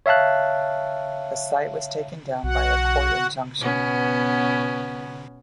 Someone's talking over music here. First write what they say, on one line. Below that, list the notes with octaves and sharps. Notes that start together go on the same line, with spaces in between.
The site was taken down by a court injunction.
C#5 E5 F5 A5 F#6
B1 F#4 F#5
B2 B3 C#4